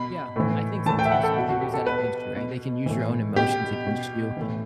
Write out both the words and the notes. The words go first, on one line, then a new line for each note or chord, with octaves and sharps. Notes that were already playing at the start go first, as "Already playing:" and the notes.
Yeah, I think sometimes people can use that against you, right? They can use your own emotions against you,
Already playing: B2 B5
A2 E3
A2 E3 A5
G5
E5
F#5
A4
B2 F#4
F#4
G4
A4
B2 B4
B2
A2 E3
B2 G4
B2
A2 E3